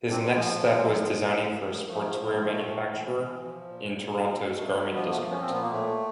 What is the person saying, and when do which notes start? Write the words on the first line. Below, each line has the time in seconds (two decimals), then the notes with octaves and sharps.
His next step was designing for a sportswear manufacturer in Toronto's garment district.
0.09 A#2 C4 D4
0.35 F3 G#3
0.61 A#2
0.74 G#3
0.86 F3
1.12 C3
1.38 C3
1.63 F3
1.89 F3 A3
2.13 A#2
2.26 A3
2.39 A#2 G#3
2.52 A3
2.65 A2
2.90 E3
3.16 E3
3.41 F3
3.68 A#2
3.93 A#2
4.18 B2
4.44 B2
4.56 A3
4.69 B2
4.94 F3 B3
5.02 A#3
5.11 A3 B3
5.21 F3
5.30 C#4
5.40 C4
5.46 A#2 B3
5.61 A#3
5.71 A2 A3